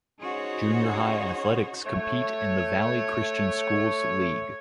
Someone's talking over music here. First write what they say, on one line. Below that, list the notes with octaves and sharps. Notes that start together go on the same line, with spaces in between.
Junior high athletics compete in the Valley Christian Schools League.
C#4 D#4 F#4 G#4 C5 C#5
A3 C#5